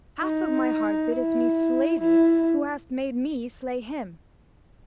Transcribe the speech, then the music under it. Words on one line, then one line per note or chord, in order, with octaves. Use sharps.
Half of my heart biddeth me slay thee, who hast made me slay him.
D#4
E4
E4